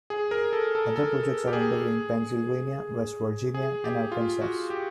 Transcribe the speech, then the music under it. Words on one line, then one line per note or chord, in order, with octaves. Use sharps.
Other projects are underway in Pennsylvania, West Virginia and Arkansas.
G#4
A#4
A4
A4
A4
G4
G#4
G#4
G4
F4
F#4
G4